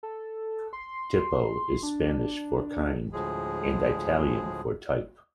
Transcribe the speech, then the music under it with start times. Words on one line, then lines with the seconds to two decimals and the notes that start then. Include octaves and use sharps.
"Tipo" is Spanish for "kind", and Italian for "type".
0.03 A4
0.73 C6
1.83 D4
3.13 D2 A2 F3 G#3 G#4